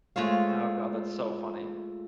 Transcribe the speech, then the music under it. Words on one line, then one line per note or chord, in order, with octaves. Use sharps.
Oh god. That's so funny,
G#3 A3 F4 C5 C#5 F5